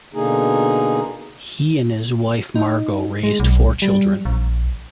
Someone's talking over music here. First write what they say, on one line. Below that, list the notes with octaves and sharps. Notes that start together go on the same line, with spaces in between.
He and his wife Margo raised four children.
B2 D3 A#3 D#4 G#4
D#4
G#3
B1
G3
A#1